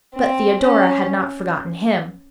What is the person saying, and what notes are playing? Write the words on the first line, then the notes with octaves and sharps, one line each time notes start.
But Theodora had not forgotten him.
C4
C#4